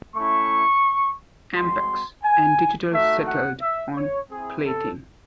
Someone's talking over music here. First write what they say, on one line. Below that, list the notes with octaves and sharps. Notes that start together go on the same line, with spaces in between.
Ampex and Digital settled on plating.
A3 C#4 E4 C#6
G#3 C4 F#4 C6
G#5
A3 D#4 F#4 E5
F#5
E5
C#5
C4 E4 G#4
A4